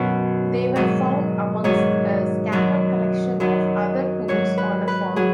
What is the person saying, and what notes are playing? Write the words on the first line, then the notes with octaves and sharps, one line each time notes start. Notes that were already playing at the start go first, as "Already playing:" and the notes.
They were found amongst a scattered collection of other tools on a farm.
Already playing: F#2 B2 D#3 F#3
G#2 D#3 F#3
G#2 D#3 F#3 C#5
F#2 D#3 F#3
F#2 D#3 F#3
G#2 F#3 C#5
B4
B4
F#3 G#4